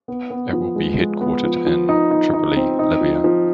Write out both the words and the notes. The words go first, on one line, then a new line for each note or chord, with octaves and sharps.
It will be headquartered in Tripoli, Libya.
B3
B3
F3
G#3
G#3
B3
F3
F3
D#4
D#4
D#4
C4
D#4
F3
F3